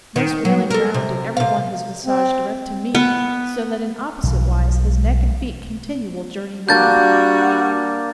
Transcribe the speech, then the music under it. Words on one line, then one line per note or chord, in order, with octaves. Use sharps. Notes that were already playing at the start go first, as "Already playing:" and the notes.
Thus, wheeling round, did every one his visage Direct to me, so that in opposite wise His neck and feet continual journey made.
D#3
F#3
A4 A#4
C3
C3 F5
C4
B3
B1 E3
G3 A#3 D4 F#4 G6 A6